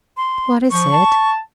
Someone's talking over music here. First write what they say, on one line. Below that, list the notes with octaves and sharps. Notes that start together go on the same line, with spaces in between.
"What is it?"
C6
F3 C#6
A5